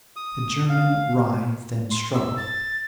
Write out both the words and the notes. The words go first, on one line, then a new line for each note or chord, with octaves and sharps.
The German writhed and struggled.
D#6
F5
C6
E6
A6